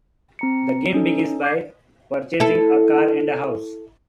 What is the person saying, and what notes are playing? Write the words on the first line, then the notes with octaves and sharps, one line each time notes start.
The game begins by purchasing a car and a house.
C4 A#5 C#7
C#4 D#4 A4
C#6 D6 G6 G#6 C7
E4 A4